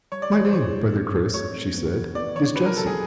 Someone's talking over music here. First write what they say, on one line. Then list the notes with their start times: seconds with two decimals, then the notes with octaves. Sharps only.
"My name, brother Chris," she said, "is Jessie."
0.12 G3 C#5
0.22 D5
0.32 E3 C#5
0.45 C5
0.53 E3 C#5
0.73 G3
0.93 C4
1.14 E4
1.34 A3 C#5
1.54 C4
1.75 B3
1.94 E3
2.15 B3 D5
2.36 E3 C#5
2.56 G4 B4
2.66 A#4
2.76 F#3 A4
2.87 G#4